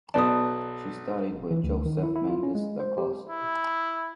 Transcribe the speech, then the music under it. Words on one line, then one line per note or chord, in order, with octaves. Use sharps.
She studied with Joseph Mendes da Costa.
B1 B3 D5 A5 D#6
E3
D2
D#3
E4
E4
F4
C#4
G#3
C5
G4
E4